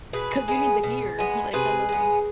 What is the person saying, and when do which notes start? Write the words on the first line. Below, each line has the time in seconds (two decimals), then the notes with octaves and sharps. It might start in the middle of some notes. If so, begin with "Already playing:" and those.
'cause you need the gear, like, "Hello."
0.13 B2 G#4 B4
0.48 G#3 B3
0.83 B2
1.19 G#3 B3
1.53 C3 G#4 B4
1.89 G#3 B3